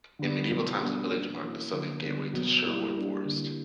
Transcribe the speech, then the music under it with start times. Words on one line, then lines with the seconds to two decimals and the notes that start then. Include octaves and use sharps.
In medieval times the village marked the southern gateway to Sherwood Forest.
0.19 D3 G3 B3
0.50 B2 F#3 B3
0.80 G3 B3 D4
1.11 B2 A#3 D4
1.42 E3 A#3 C#4 F#4
1.73 D3 F#3 A#3
2.03 D3 G3 B3
2.33 B2 F#3 B3
2.64 G3 A#3 E4 G4
2.95 G3 A#3 D4 G4
3.25 D3 A#3 E4 G4